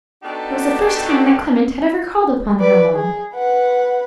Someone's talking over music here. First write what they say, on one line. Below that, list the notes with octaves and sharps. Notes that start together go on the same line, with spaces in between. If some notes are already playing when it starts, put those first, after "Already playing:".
It was the first time that Clement had ever called upon her alone.
B3 D4 D#4 F#4 G4 A4
B4 D5
G#4
B4 F#5